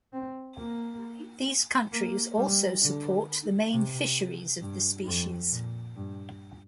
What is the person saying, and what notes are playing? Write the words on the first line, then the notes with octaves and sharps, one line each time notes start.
These countries also support the main fisheries of the species.
C4
A#3
A#3
G3
D3
C3
G2
F2
A#2
G2